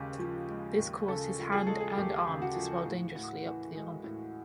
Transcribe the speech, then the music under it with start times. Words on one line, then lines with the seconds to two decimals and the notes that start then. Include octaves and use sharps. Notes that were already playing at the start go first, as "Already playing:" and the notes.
This caused his hand and arm to swell dangerously up to the armpit.
Already playing: D#2 C#3 G#3 G4
0.19 F3
0.49 G#3
0.78 D#2
1.08 C#3 A4
1.39 F3
1.52 G#4
1.67 G#3 A4
1.80 G#4
1.98 D#2 G4
2.27 C#3
2.42 F#4
2.56 F3
2.85 A2
3.15 A2
3.46 E3
3.75 G#3
4.04 A2